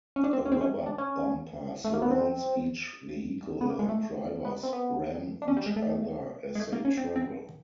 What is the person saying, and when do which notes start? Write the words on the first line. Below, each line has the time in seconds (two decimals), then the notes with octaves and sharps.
A rubber bumper surrounds each vehicle, and drivers ram each other as they travel.
0.16 C#4
0.24 D4
0.33 C4
0.45 C#4
0.52 C4
0.61 C#4
0.86 D4
0.98 C#4
1.84 A3
1.93 A#3
2.02 B3
2.11 C4
3.61 B3
3.70 A#3
3.79 G#3
3.89 A3
4.45 B3
4.63 C4
4.73 B3
5.42 D4
5.48 C#4
5.57 G3
5.66 G#3
5.76 A3
6.55 G#3
6.59 A3
6.73 A#3
6.85 C#4
6.97 C4
7.16 C4